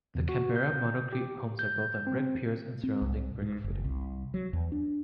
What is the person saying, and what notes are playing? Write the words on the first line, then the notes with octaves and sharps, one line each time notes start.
The Canberra monocrete homes are built on brick piers and surrounding brick footing.
E2
F#4
G6
G4
G6
C4
C4
C2
G#2
F#1
C2
F#3
E2
D4